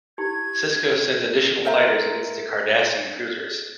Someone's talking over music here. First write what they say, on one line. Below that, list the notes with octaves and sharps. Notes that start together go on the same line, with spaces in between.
Sisko sends additional fighters against the Cardassian cruisers.
E4 G4 G#6
A#4 C5 E5 A#5